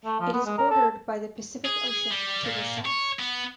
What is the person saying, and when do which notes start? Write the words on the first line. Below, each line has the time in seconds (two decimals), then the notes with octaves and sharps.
It is bordered by the Pacific Ocean to the south.
0.06 A3
0.20 F3
0.34 B3
0.46 G#3
0.58 A#4
0.70 A4
1.66 G#4
1.88 G#4
2.10 G3
2.44 A#2
2.85 C#5
3.19 B3